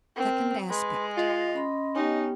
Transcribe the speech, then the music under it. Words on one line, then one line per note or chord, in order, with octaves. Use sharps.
Second Aspect.
C4 A#4
G#3 B4 C6
F4 D#5
C#4 B5 C6
B3 C#4 D#4 G4 G5